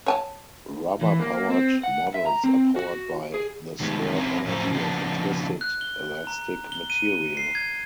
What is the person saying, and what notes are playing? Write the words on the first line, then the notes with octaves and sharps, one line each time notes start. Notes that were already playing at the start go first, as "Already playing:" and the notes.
Rubber-powered models are powered by the stored energy of a twisted elastic material.
C#5 G#5 A5
E3
A#3
C4
F#5
E5
A#5
C4
F#4
G#4
D#3 G3 G#3 B3
C4 C#4 E4 A#4
F2 A2 E4 C5 A#5
C#3 F3 F#3 A#3 B3 D4
F#6
G7
A#5
G7
D#7
C7
G#6